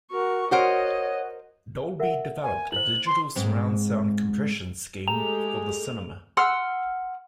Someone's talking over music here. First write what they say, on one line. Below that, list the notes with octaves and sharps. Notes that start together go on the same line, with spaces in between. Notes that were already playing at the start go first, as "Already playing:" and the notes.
Dolby developed a digital surround sound compression scheme for the cinema.
F#4 A#4 C#6
F#4 A#4 C5 C#5 D#5 F#5
A#4 E5 F#5
G#5
E4 C5 F#7
C6
G#2 G#3 C4
G#3 A3 G4 G#4 A#5 F7
F#5 C6 E6 F6